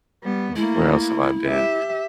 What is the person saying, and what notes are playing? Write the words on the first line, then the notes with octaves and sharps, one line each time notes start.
like, where else have I been?
G3 B3
A3 A#3 E4
G4 E5